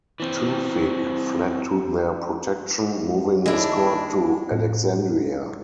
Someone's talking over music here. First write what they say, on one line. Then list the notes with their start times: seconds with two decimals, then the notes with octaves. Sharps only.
Tewfik fled to their protection, moving his court to Alexandria.
0.20 E3 C4
3.46 D#2 G#3 D4 E4
4.51 A2